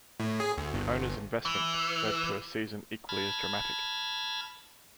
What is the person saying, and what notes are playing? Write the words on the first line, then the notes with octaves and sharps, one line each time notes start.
The owners' investment led to a season equally as dramatic.
A2
G#4
D2
G1
E3
A5 B5 F6 G#6